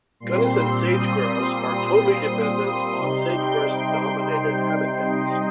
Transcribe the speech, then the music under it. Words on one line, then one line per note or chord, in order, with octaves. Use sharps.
Gunnison sage-grouse are totally dependent on sagebrush-dominated habitats.
A#2 G3 C4 C6
C6
D#6
D#6
C3 G3 D#4 C6
G5
D#5